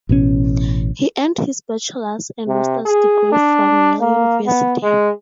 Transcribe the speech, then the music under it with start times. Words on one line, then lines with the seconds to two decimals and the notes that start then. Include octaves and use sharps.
He earned his Bachelors and master's degree from Yale University.
0.09 A1 B2 D3 C#4
2.48 C3
2.86 G#4
3.32 D4
4.01 A#3
4.47 B3
4.83 G#3